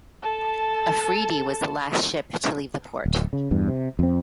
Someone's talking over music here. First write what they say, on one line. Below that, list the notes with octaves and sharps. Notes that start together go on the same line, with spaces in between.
"Afridi" was the last ship to leave the port.
A4 A5
D1
C#3
E2 G2
C3
F2 C4